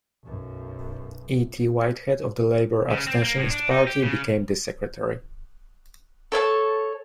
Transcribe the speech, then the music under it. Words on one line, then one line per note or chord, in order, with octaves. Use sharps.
E. T. Whitehead, of the Labour Abstentionist Party, became the secretary.
B1 F#2
C#3
C4
A#3
A2
D4
D#4
G4
C#3
A4 C#5 F5 A5